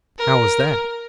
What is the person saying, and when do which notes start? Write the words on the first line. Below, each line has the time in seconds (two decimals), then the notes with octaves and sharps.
"How was that?"
0.18 A#4